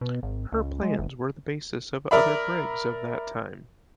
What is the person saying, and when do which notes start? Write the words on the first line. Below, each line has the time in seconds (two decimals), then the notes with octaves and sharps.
Her plans were the basis of other brigs of that time.
0.01 B2
0.23 G#1
0.52 C#2
0.83 G#3
0.99 F#1
2.11 A#4 D5 E5 B5